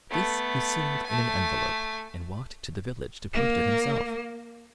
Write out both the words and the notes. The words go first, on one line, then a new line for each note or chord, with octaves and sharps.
This he sealed in an envelope, and walked to the village to post it himself.
A3 B3
A3 G#5
A#3